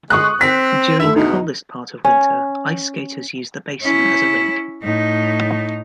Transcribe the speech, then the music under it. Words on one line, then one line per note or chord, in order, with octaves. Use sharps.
During the coldest part of winter, ice skaters use the basin as a rink.
G#3 C#6 D#6 F#6
C4 B6
D3 A3 E4 E5
E2 B2 D#4
C#4
C#4 E4
A2 D#4